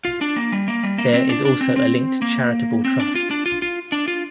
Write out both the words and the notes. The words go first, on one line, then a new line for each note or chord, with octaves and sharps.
There is also a linked charitable trust.
F4
D4
A#3
G3
A#3
G3
A#3
C4
D4
D4
C4
C4
A#3
C4
D4
F4
D4
F4
F4
D4
F4